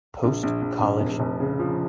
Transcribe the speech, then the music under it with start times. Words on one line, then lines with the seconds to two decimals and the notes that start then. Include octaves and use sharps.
Post College.
0.23 A#1
0.43 A#1
0.62 A#1
0.82 A#1
1.00 F1
1.20 F1
1.40 C#3
1.59 F3